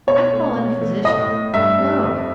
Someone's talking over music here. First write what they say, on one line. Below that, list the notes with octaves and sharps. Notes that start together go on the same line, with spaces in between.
I call in a physician; lo!
B2 C#5
A3
B2
A3
A2 D#5
A3
G2 E5
G3
F2